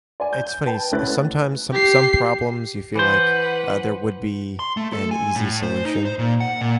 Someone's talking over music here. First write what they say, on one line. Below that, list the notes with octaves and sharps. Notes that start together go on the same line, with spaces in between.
it's funny, s sometimes some some problems you feel like, uh, there would be an easy solution,
D5 G#5
G6
B4 G5 A5
D2 C#4 E4 B4 F#6 A6
G4 C7
E3 B4 C5 F#5
C6
A3
A4
G#5
A2
C5
D#4
C5
A#2
F#5
A#2